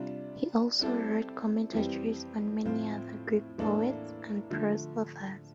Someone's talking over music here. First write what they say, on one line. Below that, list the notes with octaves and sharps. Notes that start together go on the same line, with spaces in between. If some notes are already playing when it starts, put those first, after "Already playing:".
He also wrote commentaries on many other Greek poets and prose authors.
Already playing: C3 G3 D4 F4
G3 C4 E4 A4 D5
F2 E3 G3 C4 G4
A2 F3 C4 F4
A2 E3 A#3 D4 A4
D3 F3 A3